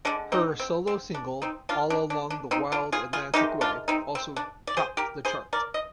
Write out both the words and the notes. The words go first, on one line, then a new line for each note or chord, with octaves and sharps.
Her solo single "All Along the Wild Atlantic Way" also topped the chart.
D3 G#3 D4
C4 D#4
C4
C4
D4
C4 D#4
D4 F4
D4
D4
D4
C4 D#4
D4 F4
F4 G#4
F4 G#4
C3 D#3 G#3 D#4 G4
D4 F4
C4 D#4
C4
D4
D5
G#4 C5
G4 A#4
G#4 C5
A#4 D5
D#5